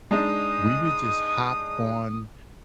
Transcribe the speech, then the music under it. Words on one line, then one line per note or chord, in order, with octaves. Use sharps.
we would just hop on
G#3 D4 D#4 D#6